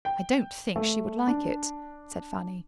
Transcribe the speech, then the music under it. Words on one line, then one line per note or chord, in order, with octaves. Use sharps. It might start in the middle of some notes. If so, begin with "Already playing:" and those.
"I don't think she would like it," said Fanny.
G5
A3
D4